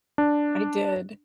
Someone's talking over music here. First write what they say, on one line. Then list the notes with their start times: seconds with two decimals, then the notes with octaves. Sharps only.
I did.
0.18 D4